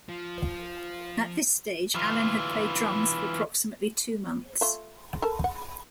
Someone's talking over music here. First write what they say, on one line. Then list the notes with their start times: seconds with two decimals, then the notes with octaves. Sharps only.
At this stage, Allen had played drums for approximately two months.
0.09 F3
1.95 E3 F4
4.61 A3 F4
5.22 A4 A#4 A5
5.44 F#5